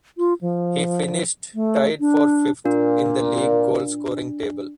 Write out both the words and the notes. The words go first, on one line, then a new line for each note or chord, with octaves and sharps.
He finished tied for fifth in the league goalscoring table.
F4
F3
A3
D4
A#2 D4